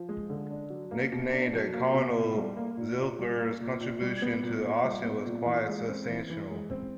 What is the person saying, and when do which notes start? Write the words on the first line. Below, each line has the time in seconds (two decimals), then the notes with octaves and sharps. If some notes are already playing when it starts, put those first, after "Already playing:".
Nicknamed "the Colonel", Zilker's contribution to Austin was quite substantial.
Already playing: F3
0.09 G#3
0.30 D3
0.50 D4
0.70 F#3
0.91 A#3
1.12 B2
1.32 D4
1.53 F#3
1.74 A#3
1.94 B2
2.15 A#2
2.37 G3
2.57 A#3
2.77 A#2
2.99 A#2
3.19 G3
3.40 A#3
3.60 A#2
3.80 A#2
4.02 G3
4.22 B3
4.43 A#2
4.64 A#2
4.84 G3
5.05 B3
5.26 A#2
5.46 E3
5.68 G#3
5.88 C4
6.09 E3
6.30 E3
6.50 G#3
6.71 C4